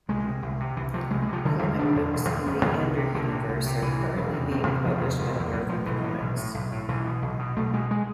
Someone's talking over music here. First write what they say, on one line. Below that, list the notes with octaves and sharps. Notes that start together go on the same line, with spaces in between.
Comic books in the Ender Universe are currently being published by Marvel Comics.
C2 G#3
C3
C2
C3
C2 E3
C3 F3
C2 G#3
G#3
C3 F3
E1 D3
E2 D3 E3
E1 D4
E2 D3
E1
E2 D3
E1 B3
E2 D3
C2
C3
C2 D3
C3
C2
C3
C2 E3
C3
E1
E2 C3
E1 C4
E2 C3 B3
E1 F3
E2 C3
E1
E2 C3
B1 E3
A2 F3
B1 E3
A2
B1
A2
B1
A2
B1 E3
B2
B1
B2
B1 A3
B2 G#3
G#3